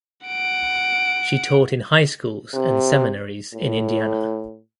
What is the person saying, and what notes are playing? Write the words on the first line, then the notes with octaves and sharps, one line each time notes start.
She taught in high schools and seminaries in Indiana.
F#5 D7
C3
A2